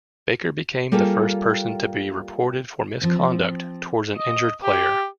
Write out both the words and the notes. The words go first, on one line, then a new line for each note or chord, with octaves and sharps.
Baker became the first person to be reported for misconduct towards an injured player.
G3 A#3 F4 G#4 A4
F3 C4
D#5
G4